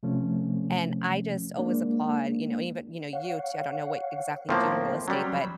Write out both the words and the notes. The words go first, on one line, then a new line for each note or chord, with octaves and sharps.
And I just always applaud, you know, even you know, you t I don't know what exactly you do in real estate, but
C3 F3 A3 C#4
G#3 A#3 D4
C#5 F5 F#5
A2 F3 A#3 B3 C5
F#3 G3 C#4 A#5 C6
F3 B5 E6